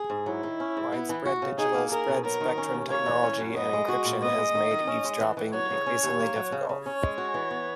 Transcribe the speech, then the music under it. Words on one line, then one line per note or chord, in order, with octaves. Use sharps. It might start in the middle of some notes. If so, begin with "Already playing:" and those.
Widespread digital spread spectrum technology and encryption has made eavesdropping increasingly difficult.
Already playing: G#4
G#2
F#3 E4
D#3
C#4
G#2
B3
E3
F#4
C#3
D#4 G#4
A#3
G#4 A#4
B2
F#3 A#4
D#3
C#4
D#2
A#3 C#5
E3
C#4
F#2
B3 D#5
G#3
F#4
A#2
B3 D#5
G#3
D#3
D#3
C#4
G#3
E3
E3
F#3 C#5
C#3
C#4
D#2
A#3
F#3
C#3
C#3
C#4 C#5
G#3
F#4
E3
B3